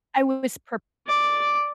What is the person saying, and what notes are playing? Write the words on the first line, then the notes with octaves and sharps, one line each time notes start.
I was prep
D5 D6